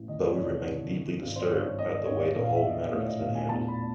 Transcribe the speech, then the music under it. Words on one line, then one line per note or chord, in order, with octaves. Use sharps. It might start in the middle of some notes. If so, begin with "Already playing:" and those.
But we remain deeply disturbed at the way the whole matter has been handled.
Already playing: A1
D#3 D#5
D5
C#5
C2
D5
C2
D#3
G#1
C5
C#5
G2
C#5
G#1 D#5
D5
G#1 C#5
D5
A#1
F5
E5
A#1 D#5
D5
A2 C#5
D#5
A#1 F5
G#5
E2 A5
B5